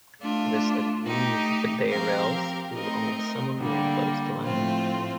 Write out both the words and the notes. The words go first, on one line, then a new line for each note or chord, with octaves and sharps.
This aggrieved the Dayrells, who owned some of the enclosed land.
A3 D4 F4
A3 D#4 G4
F3 C4 G4 A#4 F5
A3 C4 D#4 A#4 D#5
D3 G3 A#3
A2 F3 A3 C4 F4